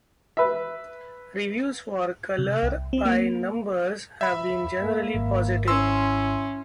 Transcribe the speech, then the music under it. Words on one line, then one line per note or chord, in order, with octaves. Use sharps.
Reviews for "Colour by Numbers" have been generally positive.
B4 E5
C3
C2
C4
A#3
E5 B5
A#3
G#1
C#4 E4 C6 E6